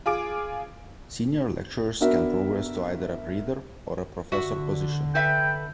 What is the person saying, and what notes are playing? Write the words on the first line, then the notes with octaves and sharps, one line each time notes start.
Senior lecturers can progress to either a reader or a professor position.
F4 G#4 D6 D7
B3 D4 F#4 A#4 E5
D3 F#4 E5
A4 B4 E5 G5